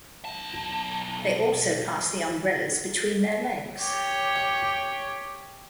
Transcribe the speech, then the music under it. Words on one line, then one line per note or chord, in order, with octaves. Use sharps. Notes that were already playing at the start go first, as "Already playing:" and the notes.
They also pass the umbrellas between their legs.
B1 A5
G4 C#5